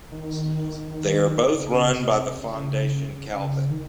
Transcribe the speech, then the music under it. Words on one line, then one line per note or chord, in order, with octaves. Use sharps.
They are both run by the Fondation Calvet.
D#3
C#3
C3
C#3
D#3